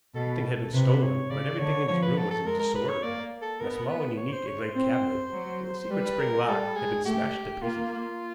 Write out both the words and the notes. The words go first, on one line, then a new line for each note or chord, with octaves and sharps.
Nothing had been stolen, but everything in his room was in disorder, and a small and unique inlaid cabinet with a secret spring lock had been smashed to pieces.
B2 A4
C3 B4
C#5
C#3 D5
D3 C#5
F3 C#5
B4
F#3 A4
A4
G#3 A#4
A#4
B4
C#5
A#3 D5
A4
B3 A#4
B4
C#5
C5
C#5
C5
C4
F#3
G3 B4
A#4
G3 A4
G#3 G#4
A3 G4
A#3 F4